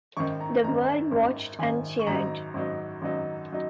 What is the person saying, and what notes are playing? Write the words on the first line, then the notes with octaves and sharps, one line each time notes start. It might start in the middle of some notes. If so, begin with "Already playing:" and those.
The world watched and cheered.
G#1 F#2 D#3 C#6
A#5
G#1 F#2 D#3 A#5
G#1 F#2 D#3
G#1 F#2 D#3 G#5
C#6
G#1 F#2 F#3 D#4 A#5
G#1 F#2 F#3 D#4
G#1 F#2 F#3 D#4
F#3 D#4